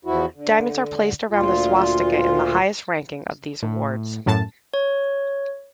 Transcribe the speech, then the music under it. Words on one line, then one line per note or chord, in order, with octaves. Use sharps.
Diamonds are placed around the swastika in the highest ranking of these awards.
E2 F3 E4 F#4
D3
D2 A#2 F4
A2
F#2 A2 A5
C#5